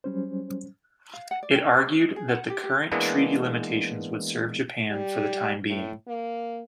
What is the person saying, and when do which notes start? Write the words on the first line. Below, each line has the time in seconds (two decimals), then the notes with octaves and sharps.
It argued that the current treaty limitations would serve Japan for the time being.
0.04 F#3 G3 C#4 C5
1.13 F5
1.31 F#5
1.43 D5
1.56 G5
1.73 C5
1.86 C#4
2.01 D#4
2.16 G#4
2.29 F#5
2.50 G4
2.64 G4
2.92 E3 G#3 A#3 B3 D4
4.90 G3
5.67 A2
6.07 A#3